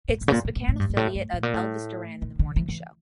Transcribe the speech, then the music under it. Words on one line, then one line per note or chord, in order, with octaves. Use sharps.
It is the Spokane affiliate of "Elvis Duran and the Morning Show".
A2
A2
C#3
A#2
A2
A2
A2
G2
G2
A2
G2
A2
A#2
A2
A#2
D3
E3
E3